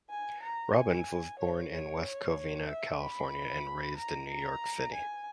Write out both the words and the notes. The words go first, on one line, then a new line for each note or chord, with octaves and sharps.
Robbins was born in West Covina, California, and raised in New York City.
G#5
A#5
G#5
C#5
C#5
E5
B5
A#5
A#5
G#5